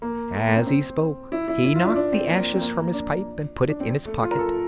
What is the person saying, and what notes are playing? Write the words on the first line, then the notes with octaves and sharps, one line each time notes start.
As he spoke, he knocked the ashes from his pipe and put it in his pocket.
A#3
A3
A#3
C4
C4
E4
E4
E4
F4
D4
D4
C4
A#3
C4
A#3
A#3
D4
D4
C4
A3
F4
A#4
A4